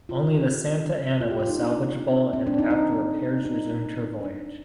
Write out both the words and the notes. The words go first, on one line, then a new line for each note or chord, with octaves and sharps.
Only the "Santa Ana" was salvageable and after repairs resumed her voyage.
F4
F4
G4
F4
G4
F4
D#4
D4
C4
D4
D#4
D#4
D#4
D4